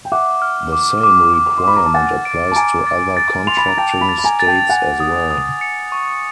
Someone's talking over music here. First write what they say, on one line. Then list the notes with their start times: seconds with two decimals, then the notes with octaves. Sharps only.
The same requirement applies to other contracting states as well.
0.05 G5
0.12 E5 F#5 D6
0.42 F6
0.73 D6
1.03 D6
1.34 D6
1.58 C6
1.64 B5 D6
1.77 A#5
1.85 A5
1.94 F#5 G#5 A6
2.25 D7
2.52 A5
2.55 G#5 A#5 D7
2.87 A6
3.17 A6
3.47 C6 F7
3.57 B5
3.68 A#5
3.78 G5 A5 A6
4.01 A5 B5
4.09 A6
4.18 B5
4.24 G#5 A#5
4.40 A6
4.47 G5 A5
4.69 F#5 G#5 A6
5.00 D#6
5.31 D#6
5.61 C#7
5.92 C#6